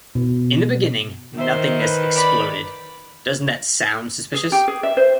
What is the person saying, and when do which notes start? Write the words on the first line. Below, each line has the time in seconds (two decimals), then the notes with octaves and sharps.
In the beginning, nothingness exploded. Doesn't that sound suspicious?
0.15 B2
1.38 D#3 C5 E5
1.81 B4
2.15 D5 B5
4.34 G#4
4.52 G4
4.68 G#4
4.83 E5
4.97 C5